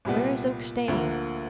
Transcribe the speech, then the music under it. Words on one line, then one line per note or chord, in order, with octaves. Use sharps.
"Where is Oak staying?"
C2 A#2 G3 B3
D2 D3 F3 A#3